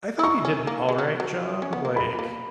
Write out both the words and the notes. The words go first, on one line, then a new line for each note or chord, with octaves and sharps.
I thought he did an all right job. Like,
E4
D#4 C#6
C#4
A#3
G#3
F#3
F#3
C#4
B3
A#3
G#3 B5
A#3